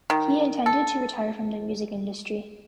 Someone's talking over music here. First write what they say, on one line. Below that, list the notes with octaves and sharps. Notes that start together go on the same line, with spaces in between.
He intended to retire from the music industry.
D#3
A4